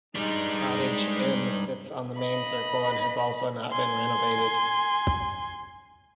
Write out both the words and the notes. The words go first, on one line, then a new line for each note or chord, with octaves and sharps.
Cottage "M" sits on the main circle and has also not been renovated.
G3 G#3 D4 D#4
D#5 B5
G#5 C6